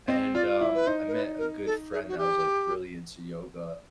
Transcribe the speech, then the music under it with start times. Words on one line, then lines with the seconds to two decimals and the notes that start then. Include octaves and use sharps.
and, um, I met a good friend that was, like, really into yoga,
0.08 C4 D#5
0.34 F4 D5
0.61 E4
0.75 B4
0.87 D#4 C5
1.08 A#4
1.13 B4
1.39 A#4
1.66 A4
1.92 G#4
2.08 F#4
2.18 G4